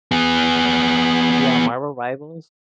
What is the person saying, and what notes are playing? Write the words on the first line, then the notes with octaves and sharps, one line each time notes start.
Yeah, Marvel Rivals
B3 G#4